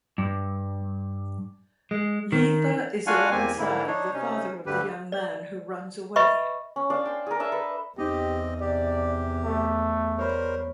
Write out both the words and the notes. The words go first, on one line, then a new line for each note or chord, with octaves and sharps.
Lefa is alongside the father of the young man who runs away.
G2
G#3
D#3
D4 F4 F#4 F5 F#5 G#5
E2 A#3 C4 G4 G#5
G#2 D3 A#3 E4
D4 D#4 C#5
C3 C#4 D#4
D2 G2 D3 G3 G4 B4
D5
B4 D#5 E5 B5 C#6
C#4
D4 D5 F5
G5 C6
G#4 A#4
D4 D#5 E5 A5
A4 B4
E2 C4 D#4 G4 D#5
C3 G4 D5
A3
G3 A#4 C5 C#5 B5